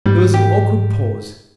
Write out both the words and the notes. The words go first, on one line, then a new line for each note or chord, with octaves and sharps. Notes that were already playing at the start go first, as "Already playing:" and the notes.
There was an awkward pause.
G#2 G3
G4